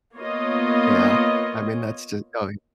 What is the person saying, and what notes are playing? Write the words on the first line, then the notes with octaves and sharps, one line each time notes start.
Yeah, I mean, that's just oh y
A#3 B3 F4 C#5 D#5